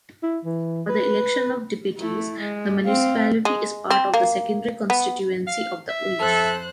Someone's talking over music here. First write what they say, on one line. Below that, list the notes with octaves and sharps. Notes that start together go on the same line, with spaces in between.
For the election of deputies, the municipality is part of the second constituency of the Oise.
E4
E3
B4
A3 E4
G#3
C4 F5
G#3
C4
A#3
B3
F5
E5
F2 A4 C5 F#6